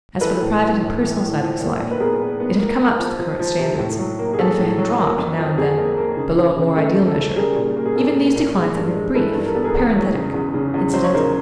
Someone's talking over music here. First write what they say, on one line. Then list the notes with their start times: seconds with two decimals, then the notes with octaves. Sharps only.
As for the private and personal side of his life, it had come up to the current standards, and if it had dropped, now and then, below a more ideal measure, even these declines had been brief, parenthetic, incidental.
0.21 E3 A4 B4
0.41 A2
0.61 E3
0.81 A2
1.01 E3
1.21 A2
1.41 F3
1.60 A#2
1.80 A#2
1.91 B4
2.00 B3 G#4 A#4
2.20 B3
2.40 B3
2.59 A#3
2.80 A#3
2.99 F3
3.19 F3
3.39 F3
3.59 C3
3.79 A2
3.99 F#3
4.19 A#3
4.33 G#4
4.39 F#3 A4
4.58 A2
4.78 F#3
4.98 A#3
5.18 F2
5.38 F3
5.58 F2 G#4
5.78 A#3
5.98 A#3
6.17 C#3
6.37 C#3
6.57 C#3
6.76 A3 A4
6.96 F3
7.07 A4
7.16 C#3
7.36 G3 G#4 A#4
7.56 A#2
7.76 A#3
7.86 G#4
7.96 A#2 A4
8.16 A#3
8.36 A#2
8.56 G#3
8.75 G2
8.95 G#3
9.15 E3 A4 B4
9.35 G2
9.45 A#4
9.55 B3 A4
9.64 G#4 A#4
9.75 E2
9.95 F#3
10.14 C#3
10.34 E2
10.54 C#3
10.74 E2
10.94 F#3 C5
11.04 C#5
11.14 C#3 A#4 C5